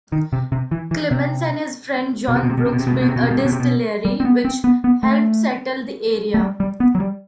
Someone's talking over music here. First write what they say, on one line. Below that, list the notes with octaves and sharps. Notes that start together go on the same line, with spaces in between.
Clemens and his friend, John Brooks, built a distillery, which helped settle the area.
D#3
C3
C3
E3
E3
C3
B2
C3
B2
C3
B2
C3
B2
C3
B2
C3
B2
C3
B2
C3
B2
C3
B2
C3
B2
G3
C4
B3
C4
B3
B3
A3
A3
G3
G3
B3
F#3
G3